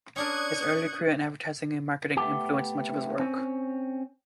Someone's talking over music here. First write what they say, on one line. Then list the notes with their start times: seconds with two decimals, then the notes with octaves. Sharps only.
His early career in advertising and marketing influenced much of his work.
0.16 C#4 D4 A#4 C#6 D#6 F#6 G#6
2.17 A3 B3 G4
3.19 C4 C#4